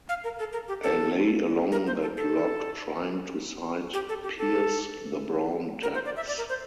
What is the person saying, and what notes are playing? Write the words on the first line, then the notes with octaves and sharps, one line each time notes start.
I lay along that log trying to sight-pierce the brown depths.
F5
A#4
A4
A#4
G4
A4
A#4
C5
A4
A4
G4
A4
G4
A4
A#4
C5
D5
E5
D5
A#4
C5